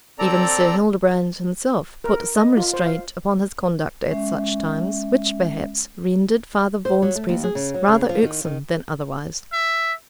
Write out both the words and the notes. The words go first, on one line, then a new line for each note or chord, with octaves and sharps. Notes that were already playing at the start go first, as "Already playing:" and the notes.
Even Sir Hildebrand himself put some restraint upon his conduct at such times, which, perhaps, rendered Father Vaughan's presence rather irksome than otherwise.
C4 A4 D5 A#5
A#4
D#5
F4
C5
F5
G#3 C#4 E5
C5
F#3
A3
D#2
G#4
C#3
F#3
C#3
F3
D#3
D#3
E5